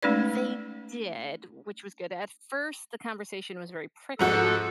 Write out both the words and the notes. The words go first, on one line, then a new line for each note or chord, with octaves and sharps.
They did, which was good. At first, the conversation was very prickly,
G#3 A3 C#4 D#4 B4 D5
G#2 F3 F#4 A4